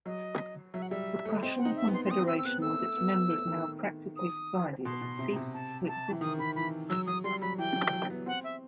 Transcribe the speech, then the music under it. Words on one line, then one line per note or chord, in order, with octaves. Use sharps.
The Prussian Confederation, with its members now practically divided, ceased to exist as such.
F#3 D#5
F#3 E5
F#5
G3 E5
A3
C4 D#5
F#5
D#4
E5
B3
C6
C6
C4 D#6
C4 E6
E6
B3 F#6
A3 E6
A3
B3
B3
A3
D#3
D#6
B2 C6
B2
C3
C3
A5
A5
E3
D#3 D#6
B5
E3 B5
F#3 E6
F#3 D#6
G3 C6
F#3 B5
E3 G5
F#3
F#3
B3
C4 F#5
E5